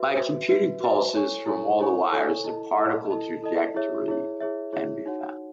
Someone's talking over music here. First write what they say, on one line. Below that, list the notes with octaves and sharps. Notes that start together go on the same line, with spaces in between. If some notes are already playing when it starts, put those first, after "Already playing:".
By computing pulses from all the wires, the particle trajectory can be found.
Already playing: F#4 B4 E5
F#4 B4 E5
F#4 B4 E5
F#4 B4 E5
E4 A4 C#5 G#5 C#6
E4 A4 C#5 G#5 C#6
E4 A4 C#5 G#5 C#6
E4 A4 C#5 G#5 C#6
E4 A4 D#5 A5
E4 A4 D#5 A5
E4 A4 D#5 A5
E4 A4 D#5 A5
E4 G#4 C#5 E5
E4 G#4 C#5 E5
E4 G#4 C#5 E5
E4 G#4 C#5 E5
D#4 F#4 C#5 F#5